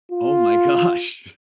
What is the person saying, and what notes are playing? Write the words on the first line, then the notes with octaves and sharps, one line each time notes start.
Oh my gosh.
F4